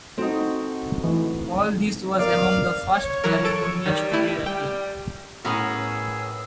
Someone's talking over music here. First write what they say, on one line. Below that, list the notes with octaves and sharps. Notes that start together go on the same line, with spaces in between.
All this was among the first California story writing.
C4 D#4 F#4 A4
E3 A3
G3 B3 A#4 D5 F5
C#5
E3 F#3 A#4
A4 D7 E7
D#3 G3
A3 E4
G3 G5
A2 B3 C#4 G#4 A#4 E6